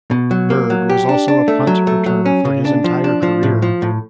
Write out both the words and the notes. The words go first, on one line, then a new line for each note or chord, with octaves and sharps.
Byrd was also a punt returner for his entire career.
B2
F#3
A#3
F#3
G4
D4
D4
A3
F#3
A3
F#3
C#4
C#3
D4
F3
D4
F3
A2
F3
A2